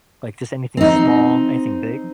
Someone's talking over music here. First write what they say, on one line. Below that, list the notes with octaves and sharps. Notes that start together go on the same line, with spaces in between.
Like, just anything small, anything big?
C4 D#4